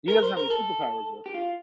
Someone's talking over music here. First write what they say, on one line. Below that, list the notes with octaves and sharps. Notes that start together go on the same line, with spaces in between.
He doesn't have any superpowers, though.
A#4
C5
A#4
A4
G4
F4